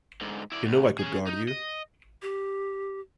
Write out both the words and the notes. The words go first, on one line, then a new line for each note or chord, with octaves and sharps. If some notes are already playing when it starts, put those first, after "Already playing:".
You know I could guard you.
G#2 D3
E4 D5
D2
C#4 G#4
D#4
D#5
G4